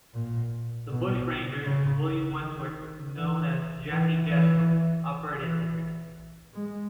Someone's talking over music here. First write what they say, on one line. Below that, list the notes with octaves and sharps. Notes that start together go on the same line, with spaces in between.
The bushranger, William Westwood, known as "Jackey Jackey", operated in the area.
A#2
B2
C#3
D#3
E3
E3
E3
E3
G#3